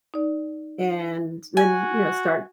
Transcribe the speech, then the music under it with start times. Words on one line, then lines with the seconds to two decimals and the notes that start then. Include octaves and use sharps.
and then, you know, start
0.14 D#4 D5
1.57 F#4 G#5